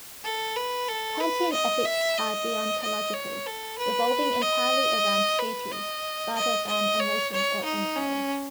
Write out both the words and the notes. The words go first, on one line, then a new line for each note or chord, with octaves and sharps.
Kantian ethics are deontological, revolving entirely around duty rather than emotions or end goals.
A4
B4
A4
B4
D#5
E5
D#5
D#5
C#5
A4
B4
D#5
B4
D#5
D#5
D#5
C#5
C#5
D#4
C#4